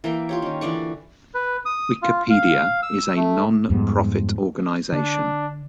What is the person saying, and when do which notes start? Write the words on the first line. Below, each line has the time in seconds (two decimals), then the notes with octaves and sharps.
Wikipedia is a non-profit organization.
0.04 E3 A#3 E5 G5
0.29 F4 G4 C#5
0.42 D#3 C#4
0.61 D3 E3 D5 C#6
1.34 B4
1.65 D#6
2.02 F4
2.30 F5
2.83 E6
3.16 A3
3.70 F2 G#2 G3 B3
4.93 D3 D4